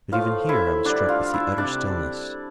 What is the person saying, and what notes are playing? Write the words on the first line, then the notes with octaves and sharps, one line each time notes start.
But even here I was struck with the utter stillness.
A2 F3 A3 F4 F5
E4 E5
D3 G3 D4 D5
F4 F5
E4 E5
C3 G3 D4 D5